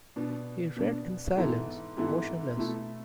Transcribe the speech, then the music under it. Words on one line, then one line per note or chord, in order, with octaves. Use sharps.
He read in silence, motionless.
B2 B3 D4
B2 B3 D4
G#2 E3 B3 E4 A4
G#2 E3 B3 E4 A4
B2 A3 E4 A4